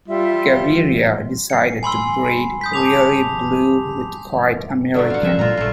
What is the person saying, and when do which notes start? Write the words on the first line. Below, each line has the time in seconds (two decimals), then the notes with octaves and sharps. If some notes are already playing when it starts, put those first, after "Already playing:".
Gaviria decided to breed Really Blue with Quiet American.
0.08 G3 F4 E5
1.50 C7 C#7
1.83 G#5 B5 C6 E6
2.61 D#6 G6 B6
2.73 A5 D6 F7
4.94 D3 F#3 A3 D5
5.10 F5 F#5
5.23 A#2 F3 E5
5.39 A#2 G3 A3 F4 A#5
5.57 A1 A3 F4